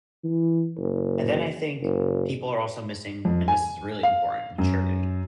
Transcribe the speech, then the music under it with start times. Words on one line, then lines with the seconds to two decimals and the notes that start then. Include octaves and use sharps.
and then I think people are also missing, and this is really important, maturity.
0.24 E3
0.79 F#1
1.83 F#1
3.25 F2
3.48 G#5
4.03 F5
4.58 F#2